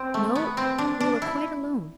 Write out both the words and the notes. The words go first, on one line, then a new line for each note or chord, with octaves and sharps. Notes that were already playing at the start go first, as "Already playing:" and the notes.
"No; we were quite alone."
Already playing: C4
A3
B3
C4
D4
D4
E4